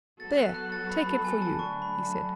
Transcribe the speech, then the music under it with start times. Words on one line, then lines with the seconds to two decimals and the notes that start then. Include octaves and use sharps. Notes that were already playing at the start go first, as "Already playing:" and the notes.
"There, take it for you," he said.
0.20 F#3 B3 F#4 A4 A6
0.38 F#6
0.55 F#6
0.72 A6
0.89 B5
1.00 B5
1.07 A5
1.25 G#5
1.42 A5
1.59 D2 D3 F#3 A3 C#6
1.82 B5
2.05 A5